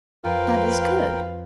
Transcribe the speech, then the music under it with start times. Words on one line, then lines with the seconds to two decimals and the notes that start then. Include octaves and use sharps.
"That is good."
0.24 F2 F4 A#4 B4 F5 G5